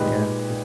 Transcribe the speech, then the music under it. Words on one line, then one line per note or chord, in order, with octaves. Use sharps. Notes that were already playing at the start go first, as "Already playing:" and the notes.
Yeah, it
Already playing: A#2 G#3 D#4 G4 B4